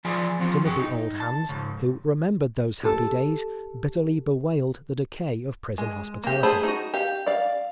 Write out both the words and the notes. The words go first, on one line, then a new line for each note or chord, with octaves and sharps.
Some of the old hands, who remembered those happy days, bitterly bewailed the decay of prison hospitality.
E3 F3 F4 G#4 D5 G#5
F3 C4 F4 F#4
G2 F#4 G#4 G5
D#4
A5
G#2 C#3
G4 A4
G#3
A#3 G4
A3 G#4 C5 G#5 B5
D#4 F#4
G4 F5
D5 F5